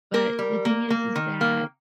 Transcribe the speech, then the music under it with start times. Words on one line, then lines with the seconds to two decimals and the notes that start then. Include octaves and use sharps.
but the thing is is that
0.14 A#3 A#4
0.39 G3
0.65 A#3
0.90 A#3
1.16 D#3
1.41 A#3